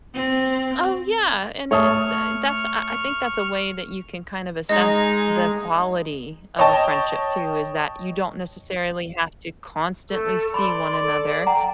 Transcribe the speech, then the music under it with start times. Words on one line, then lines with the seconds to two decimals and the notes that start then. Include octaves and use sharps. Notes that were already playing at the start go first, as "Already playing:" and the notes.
Oh, yeah, and it's, uh that's, I I think that's a way that you can kind of assess the quality of a friendship too, is that you don't necessarily have to constantly see one another,
0.14 C4
1.71 A3 C#5 E5 A5 C#6 D#6 F6
4.69 G#3 D#4 D#5
6.58 C#5 D#5 G5 A5
10.11 A3 A4
10.54 D5 B5 C6
11.03 A4
11.47 F#5 G5 A#5